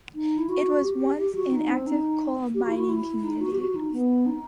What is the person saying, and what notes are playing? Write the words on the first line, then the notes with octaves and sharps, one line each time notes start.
It was once an active coal mining community.
D#4
E4
F#4
G4
G4
F#4
D#4
C4
D#4
G4
F#4
E4
F#4
E4
D#4
F#4
G4
F#4
D#4
B3
D#4